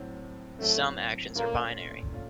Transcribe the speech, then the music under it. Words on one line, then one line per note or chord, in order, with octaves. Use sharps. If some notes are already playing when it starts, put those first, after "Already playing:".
Some actions are binary.
Already playing: A2 F#3 C4
A2 F#3 A3 C4
A#2 A3 A#3 C#4 F4
A#2 A3 C#4 F4